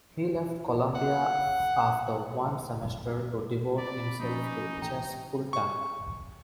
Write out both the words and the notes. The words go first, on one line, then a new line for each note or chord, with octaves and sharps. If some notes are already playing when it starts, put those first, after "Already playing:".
He left Columbia after one semester to devote himself to chess full-time.
F#5
C4 D5 B5
F3 A#3 C#4 D#4
A2 E3 G5 A#5
C#6